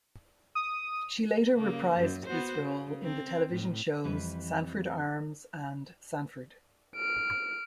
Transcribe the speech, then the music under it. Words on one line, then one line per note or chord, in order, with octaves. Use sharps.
She later reprised this role in the television shows "Sanford Arms" and "Sanford".
D#6
C#3 A#3
F#2
B3 F#4 C5
C#3
C4
A2
F2 E3 G3 C4 B4
F6 D7